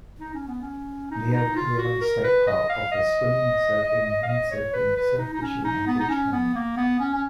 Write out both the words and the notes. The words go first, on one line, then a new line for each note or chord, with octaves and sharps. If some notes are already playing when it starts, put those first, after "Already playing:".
Leo Carrillo State Park offers swimming, surfing, windsurfing, surf fishing, and beachcombing.
D#4
C#4
B3
C#4
D#4
D#4
F4
F#4
A#4
B4
D#5
F5
D#5
D#5
D#5
F5
D#5
C#5
B4
B4
D#4
D#4
C#4
D#4
B3
D#4
C#4
B3
A#3
B3
C#4
C#4